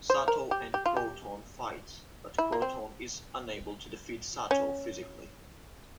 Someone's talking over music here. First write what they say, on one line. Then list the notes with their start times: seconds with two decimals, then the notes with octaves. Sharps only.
Sato and Kroton fight, but Kroton is unable to defeat Sato physically.
0.10 C5
0.28 A#4
0.51 G4
0.74 G4
0.86 F4
0.97 G4
2.38 E4
2.52 A#3
2.62 C4
4.51 C#4